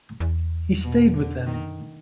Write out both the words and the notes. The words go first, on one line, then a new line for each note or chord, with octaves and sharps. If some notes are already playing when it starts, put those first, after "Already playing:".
He stayed with them.
E2
B2
D3
F#2
F2 D#3
F#2